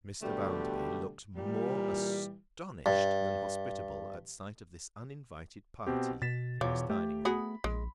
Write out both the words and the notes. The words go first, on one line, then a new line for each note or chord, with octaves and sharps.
Mr. Bounderby looked more astonished than hospitable, at sight of this uninvited party in his dining-room.
B2 D3 G3 A3 G4
A#2 E3 G3
G2
B2 C4 G4
B2 A6 B6 E7
E2 B2 F3 C#5 D6
A3 G4
B3 F#4 G#4 B5
A#1 G#3